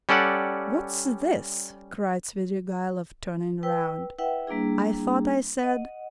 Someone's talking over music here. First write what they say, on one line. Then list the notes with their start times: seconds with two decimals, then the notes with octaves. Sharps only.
"What's this?" cried Svidrigailov turning round, "I thought I said..."
0.09 G3 C#4 A4 D5 F#5
3.63 B4 G5 E6
4.19 E4 B4 E5 F#5 G5
4.47 G3 A#3 D4 E4 G#4
5.60 D#5 F#5